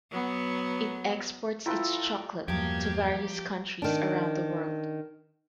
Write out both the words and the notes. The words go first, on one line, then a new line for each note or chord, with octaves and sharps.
It exports its chocolate to various countries around the world.
F#3 B3
F3 E4 F4 A4 B4 G5 A#5
E2 G2 F3 F#3 A#3 G4 G#6
D#3 D4